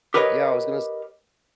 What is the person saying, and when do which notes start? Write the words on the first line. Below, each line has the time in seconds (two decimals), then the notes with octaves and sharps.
Yeah. I was gonna s
0.14 G4 A#4 B4 C#5 D#5